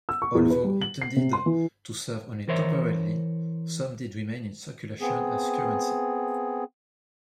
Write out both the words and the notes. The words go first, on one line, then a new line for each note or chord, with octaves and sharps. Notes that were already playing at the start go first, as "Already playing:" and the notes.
Although intended to serve only temporarily, some did remain in circulation as currency.
E6
C#6
E2
B4
G3
F#7
C7
C3
C6
E3
E3 A#4 C5 C#5 E5
B3 C4 G#4